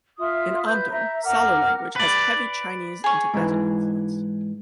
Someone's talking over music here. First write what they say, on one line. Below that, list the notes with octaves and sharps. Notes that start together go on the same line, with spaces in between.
In Amdo, Salar language has heavy Chinese and Tibetan influence.
F4 E5 D#6
B4 G6
E5 A#5
A#4 F#5 D6 F6
B4 D5
G#4 C#6
G#2 E3